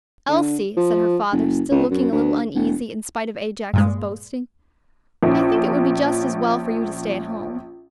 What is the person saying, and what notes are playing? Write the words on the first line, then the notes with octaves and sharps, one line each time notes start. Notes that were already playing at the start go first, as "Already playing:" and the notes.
"Elsie," said her father, still looking a little uneasy, in spite of Ajax's boasting, "I think it would be just as well for you to stay at home."
D3
F3
F#1
C#2
F#2
D2
E1
G2 A#2 G#3
A#1 C#4